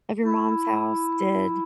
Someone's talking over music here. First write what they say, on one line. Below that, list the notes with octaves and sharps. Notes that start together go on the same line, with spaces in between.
of your mom's house, did
E4